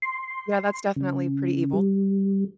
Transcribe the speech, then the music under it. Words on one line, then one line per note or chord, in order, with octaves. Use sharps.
Yeah, that's definitely pretty evil.
C6
C#3
G3